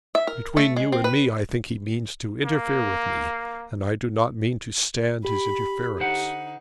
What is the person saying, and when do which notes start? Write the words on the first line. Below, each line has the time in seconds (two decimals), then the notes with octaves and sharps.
"Between you and me, I think he means to interfere with me, and I do not mean to stand his interference."
0.15 E5
0.27 A#4
0.57 A3
0.76 G#3
0.92 C4
1.04 B4
2.45 A#3
5.25 G4 B5
5.99 D3 D#4 C5 F#5